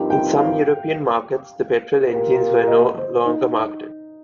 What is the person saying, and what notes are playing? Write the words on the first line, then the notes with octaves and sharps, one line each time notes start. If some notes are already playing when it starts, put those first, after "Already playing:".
In some European markets, the petrol engines were no longer marketed.
Already playing: G2 F3 C4 D#4 G4 A#4
G5
F5
A#2 A#3 G4 A#4
D#5
C5
D#4